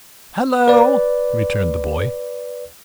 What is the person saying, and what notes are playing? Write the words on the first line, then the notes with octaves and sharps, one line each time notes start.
"Hallo!" returned the boy.
B4 D5